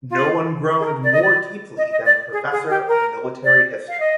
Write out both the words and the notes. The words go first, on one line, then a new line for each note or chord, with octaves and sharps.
No one groaned more deeply than the professor of military history.
F4
G#4
A#4
D5
D#5
D5
D#5
D#5
D5
G#4
G#4
G4
A#4
D5
F5
D#5